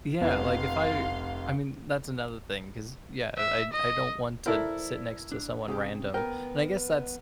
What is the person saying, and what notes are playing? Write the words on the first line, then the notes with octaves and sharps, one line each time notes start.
Yeah, like if I I mean, that's another thing, 'cause, yeah, I I I don't want to sit next to someone random, and I guess that's
F1 B3 E4 F5 C6
E5
D#5
E4 A4 A#4 C5 D5
D4
C3 C#4 G4 G#4
B3 A#4 G5